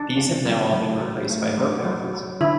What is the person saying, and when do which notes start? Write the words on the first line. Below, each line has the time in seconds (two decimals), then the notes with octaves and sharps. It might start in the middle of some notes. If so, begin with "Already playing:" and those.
These have now all been replaced by boat houses.
Already playing: D4
0.17 C#3
0.46 F#3
0.72 F#3
1.01 F#3
1.30 A3
1.58 F#3
1.85 F#3
2.14 F#3
2.41 D3 E4